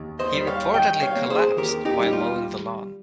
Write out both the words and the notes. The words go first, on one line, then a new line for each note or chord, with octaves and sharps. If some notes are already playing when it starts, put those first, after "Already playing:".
He reportedly collapsed while mowing the lawn.
Already playing: D#2
C5 D#5
G3
C#5 F5
D#3 D#5 G5
C#5 F5
A#3
C#5
G#4 C5
D#2 G4 A#4
D#4 G4
G3 G4
F4